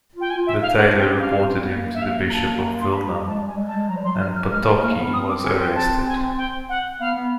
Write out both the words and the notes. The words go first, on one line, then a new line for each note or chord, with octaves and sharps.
The tailor reported him to the Bishop of Vilna, and Potocki was arrested.
F4
G5
G#5
F4
E5
D#4 F5
D4 F#5
C4 G5
C#4
F5
C4
B3
A#3
E5
F5
A#5
A5
A#5
C6
A#5
B5
A#5
G#3 A5
G3 G#5
G#3
A5
G#3
F#3 A#5
G3
F#3 C6
F#3 F6
F6
G#3 F6
A#3
A3
A#3 F6
B3
C4 D#6
D6
G#5
G5
A5
G#5
G5
F#5
B3 F5
B3